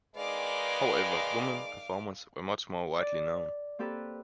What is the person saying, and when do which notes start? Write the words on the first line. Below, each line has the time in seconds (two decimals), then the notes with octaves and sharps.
However women performers were much more widely known.
0.16 D#3 G#3 B4 D5 F5 D6
2.99 D5
3.79 A#3 C4 G4 A4 B4